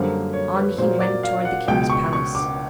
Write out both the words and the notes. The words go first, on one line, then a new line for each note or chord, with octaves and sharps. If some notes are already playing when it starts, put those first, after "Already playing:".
On he went toward the king's palace.
Already playing: F#2 D3 G3 A#3 C5
C#5
B4
A#2 F#3 A#3 C5
D5
F5
F#5
C#2 B2 G#3 G5
C#6
C#6
D6